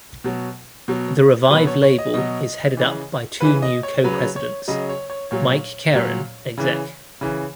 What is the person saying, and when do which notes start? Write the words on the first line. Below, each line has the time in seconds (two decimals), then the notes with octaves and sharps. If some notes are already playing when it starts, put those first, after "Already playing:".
The revived label is headed up by two new co-Presidents: Mike Caren, Exec.
0.24 B2 F#3
0.88 B2 F#3
1.50 B2 F#3 B4
1.67 C#5
1.82 C#5
1.98 D#5
2.14 B2 F#3 D#5
2.77 C#3 E3
3.41 C#3 E3 B4
3.62 D#5
3.83 C#5
4.04 C#3 F#3 B4
4.36 C#5
4.68 C#3 F#3 D#5
4.89 C#5
5.10 C#5
5.31 A#2 F#3 C#5
5.95 A#2 F#3
6.58 C#3 E3
7.21 C#3 E3